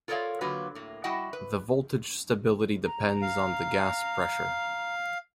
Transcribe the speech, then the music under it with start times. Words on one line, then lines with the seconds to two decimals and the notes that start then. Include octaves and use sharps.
The voltage stability depends on the gas pressure.
0.08 F4 A4 A#4 C#5 D5 F5
0.41 D3 F#3 A#3 F4 F#4 B4
0.75 A2 A#3
1.04 G3 E4 F#4 D#5 F#5 G5
1.33 B4
2.85 A#5
3.22 F5